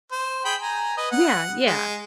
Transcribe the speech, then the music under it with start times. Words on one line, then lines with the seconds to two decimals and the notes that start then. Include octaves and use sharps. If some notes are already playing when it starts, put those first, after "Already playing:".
Yeah, yeah.
0.12 C5
0.45 G#4 G5 B5
0.62 G#5 A#5
0.97 B4 D#5
1.11 F#5
1.67 G#3